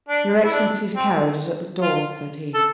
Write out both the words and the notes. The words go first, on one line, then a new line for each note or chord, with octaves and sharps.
"Your excellency's carriage is at the door," said he.
D4
E4
D4
C4
F4
A4